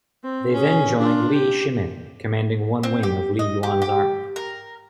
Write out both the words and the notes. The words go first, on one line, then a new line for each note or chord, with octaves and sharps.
They then joined Li Shimin, commanding one wing of Li Yuan's army.
C4
C#4 G#4
D4 F4
G4
C4
G4
D#5
G4
G4
A#4